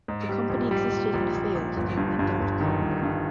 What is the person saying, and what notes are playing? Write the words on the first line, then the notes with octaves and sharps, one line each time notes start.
The company existed and failed during the dot com bubble.
G#2
G3
A#1
G3
A#1
A#1
A#1
A#1
G1
G2
G2
G1
D#3
G1
G2